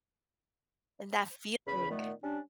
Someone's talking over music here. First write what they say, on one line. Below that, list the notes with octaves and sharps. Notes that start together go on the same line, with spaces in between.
And that feeling.
E2 C#3 B5
A#2 D#3 A3 B3
G3 C#4 D4